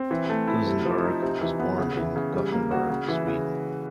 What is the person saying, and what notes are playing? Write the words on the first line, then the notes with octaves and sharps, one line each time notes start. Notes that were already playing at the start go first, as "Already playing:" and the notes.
Kusenberg was born in Gothenburg, Sweden.
Already playing: C4
E3
A3
E4
C3
F3
D#4
C3
E3
B3
C#3
E3
C#3
G3
A#3
F#4
C#3
E3
C#3